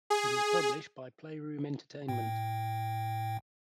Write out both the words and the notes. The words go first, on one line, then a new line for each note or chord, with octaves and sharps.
It is published by Playroom Entertainment.
G#4
A2 G5